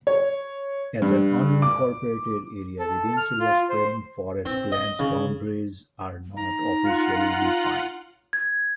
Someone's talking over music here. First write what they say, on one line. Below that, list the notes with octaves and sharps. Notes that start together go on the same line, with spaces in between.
As an unincorporated area within Silver Spring, Forest Glen's boundaries are not officially defined.
C#5
G2
D6
A4
F6
F4
C5
C4
D#5
C#3
D#4 A#5
F4 F#5
G#6